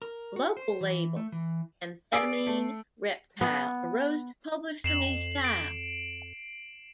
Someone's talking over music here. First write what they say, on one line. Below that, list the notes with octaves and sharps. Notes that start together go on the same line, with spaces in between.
Local label Amphetamine Reptile arose to publish the new style.
A#4
F#4
C5
E3
A3
E3
G#4 D5 E6 C7 D7
A3
B3
F2 C7 E7 F#7
D7